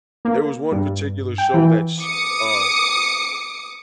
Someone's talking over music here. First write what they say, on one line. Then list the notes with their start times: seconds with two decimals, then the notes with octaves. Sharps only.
there was one particular show that's, uh,
0.25 A#3
0.72 G2
1.38 G5
1.54 E3
2.00 D6 D#6 C#7